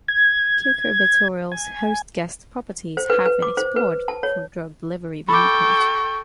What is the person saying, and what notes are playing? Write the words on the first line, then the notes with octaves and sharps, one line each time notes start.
Cucurbituril's host-guest properties have been explored for drug delivery vehicles.
G#6
G#5
C5
B4
B4
D6
C5
B4
A5
C#5
A4 G5 B5 C#6 D6